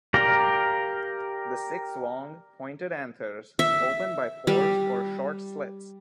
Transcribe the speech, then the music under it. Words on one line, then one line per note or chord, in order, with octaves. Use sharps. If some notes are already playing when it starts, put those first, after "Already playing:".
The six long, pointed anthers open by pores or short slits.
G4 A#4 D5 F5 A#5
E5
G3